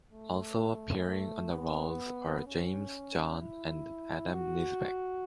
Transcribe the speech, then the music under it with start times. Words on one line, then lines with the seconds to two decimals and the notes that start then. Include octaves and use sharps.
Also appearing on the rolls are James, John and Adam Nisbet.
0.12 A3
1.06 A3
1.52 B3
2.46 C#4
3.39 E4
4.33 F#4